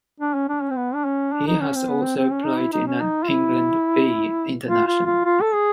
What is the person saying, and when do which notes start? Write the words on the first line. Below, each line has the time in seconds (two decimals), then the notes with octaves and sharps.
He has also played in an England B international.
0.20 D4
0.34 C#4
0.49 D4
0.62 C#4
0.70 C4
0.76 B3
0.94 D4
1.05 C#4
1.33 D4
1.47 D#4
1.60 C#4
1.75 C4
1.89 B3
2.02 C4
2.16 C4
2.31 C#4
2.45 D#4
2.59 E4
2.73 D#4
2.87 C#4
3.00 D#4
3.23 F4
3.29 E4
4.69 F4
4.87 F4
5.05 F4
5.25 F4
5.41 A4
5.53 G#4